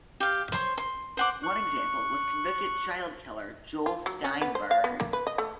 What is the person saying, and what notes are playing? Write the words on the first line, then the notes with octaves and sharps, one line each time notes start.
One example was convicted child-killer Joel Steinberg.
G4 F5
C5 C#5 C6
C6
C5 F#5 D6
C#6 F#6
F4
F#3
C#4
B3
C5
F5
B3
A#3
B4
D#5
A3